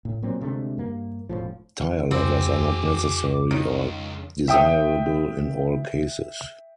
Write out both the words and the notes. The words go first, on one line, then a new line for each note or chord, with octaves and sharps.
Tire levers are not necessary or desirable in all cases.
A2
A#2 F#3 C4
D2 C3 G#3 A3
G2 A#3
E1 C#2 A2 F3
F2 C4 F#4 G#4 D6
C#2 F#2 D#3
E5 G5 D#6